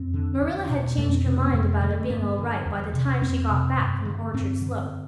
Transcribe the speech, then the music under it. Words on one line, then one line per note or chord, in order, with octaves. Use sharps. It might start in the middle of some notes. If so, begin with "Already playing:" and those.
Marilla had changed her mind about it being all right by the time she got back from Orchard Slope.
Already playing: F2 C4
D3
E2
B2
F2 A3
C4
C3 C4
B3
F2 A3
A3
D3
A3
G2 B3
D3
E2
C3
F2 C4
C3
G2
D3
G2 C4
D3